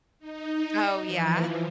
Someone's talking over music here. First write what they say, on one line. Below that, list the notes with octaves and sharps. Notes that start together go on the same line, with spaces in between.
Oh, yeah.
D#4
E3 F3